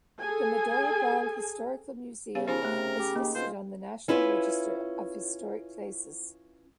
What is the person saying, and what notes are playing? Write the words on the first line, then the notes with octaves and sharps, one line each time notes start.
The Medora Ball Historical Museum is listed on the National Register of Historic Places.
G#4 A4 G#5
C#3 B3 G4 F5
C#3 F3 D#4 G4 A#4 C5
C3 A3 G5
G4
D#3 A#3
B2 F4 C5
C#4 E4 F4 B4